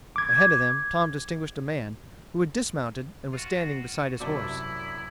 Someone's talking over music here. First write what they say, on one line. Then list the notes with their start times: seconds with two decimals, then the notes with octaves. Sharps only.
Ahead of them Tom distinguished a man who had dismounted and was standing beside his horse.
0.16 D6 G#6
3.33 F4 F#4
4.20 F#2 C3 D4 E4 C5 D5